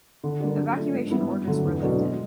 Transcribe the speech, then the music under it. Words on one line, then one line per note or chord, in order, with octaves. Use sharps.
Evacuation orders were lifted.
D3
G3 A#3 D4 G4
F#3
A3 D4 F4
G#2
E3 G3 B3 E4
G2
D3 F#3 A3
E2
B2 F#3 A3 D4
G#3